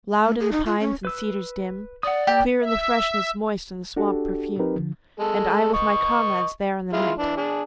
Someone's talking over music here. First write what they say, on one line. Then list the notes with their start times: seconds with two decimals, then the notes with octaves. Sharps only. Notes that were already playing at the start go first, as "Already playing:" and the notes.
Loud in the pines and cedars dim, Clear in the freshness moist and the swamp-perfume, And I with my comrades there in the night.
0.25 A3
0.40 G#4
0.52 D#4
0.66 F4
0.80 C#4
1.05 B4 E6
2.03 D5 F#5 D#6
2.27 A#3 G4
2.61 E5
3.96 D4 F#4 G4 A4
4.59 C4 D#4 G4 A#4 B4
4.76 D3 F3
5.20 G#3 A4
5.74 D#5 C#6
6.93 G#3 E4 F4
7.17 E3 D4
7.37 D4 G#4